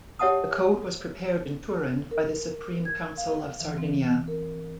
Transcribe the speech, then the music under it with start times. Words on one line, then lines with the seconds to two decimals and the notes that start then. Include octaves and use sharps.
The code was prepared in Turin by the Supreme Council of Sardinia.
0.19 G4 C#5 E5 F#5 A5 D#6
2.11 A#4
2.85 G#6
3.17 F5
3.60 E3
3.78 C4
4.28 A#4